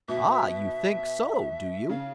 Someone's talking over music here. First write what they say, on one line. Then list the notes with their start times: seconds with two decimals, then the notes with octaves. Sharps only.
"Ah! you think so, do you?"
0.08 B2 E5
1.89 C#3 F5